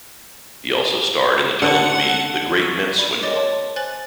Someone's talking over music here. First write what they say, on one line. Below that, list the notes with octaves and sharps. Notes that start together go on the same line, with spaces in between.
He also starred in the telemovie "The Great Mint Swindle".
D3 F#5
C#6 E6 D#7
D5 B5
C#5 D#5 D6 A6 G7
C#5 A5 C6
C5 G#5 F#6 A6 F#7 G7